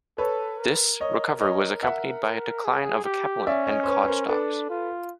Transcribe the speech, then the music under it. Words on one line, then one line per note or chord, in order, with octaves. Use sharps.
This recovery was accompanied by a decline of capelin and cod stocks.
A4 B4 C#5
A#4
C#5 D#5
C#5 D#5
E5 F#5
G#4
G4
C#4 D5 E5
C#5 D#5
C5
B4 C#5
B4
A#4 C5
D4 A4 B4
F4